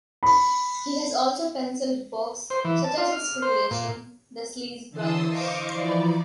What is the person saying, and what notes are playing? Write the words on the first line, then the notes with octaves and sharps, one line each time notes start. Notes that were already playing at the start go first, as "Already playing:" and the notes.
He has also pencilled books, such as his creation "The Sleeze Brothers".
B5
C5
E3
A5
F4
F6
C5
A#2
D3 E3 A5 C6 D#6 E6
C5 D#5 F5 C#6 D6
E3 F3 D5